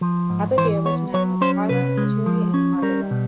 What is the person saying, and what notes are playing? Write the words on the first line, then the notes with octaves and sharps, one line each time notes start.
Abadir was met by the Harla, Gaturi and Argobba.
F3
G#2
E3 C5
B3 C#5
F#3 C#5
C#4 C5
C3 B4
G#3
F3
C#4
G3 A#4
B2